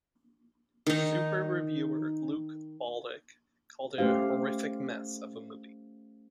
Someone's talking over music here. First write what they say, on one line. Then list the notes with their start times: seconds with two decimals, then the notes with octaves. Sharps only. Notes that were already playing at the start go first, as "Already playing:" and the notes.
Super Reviewer Luke Baldock called it a horrific mess of a movie.
0.86 D#3 D#4
3.98 A3 C#4 G4 C5 F5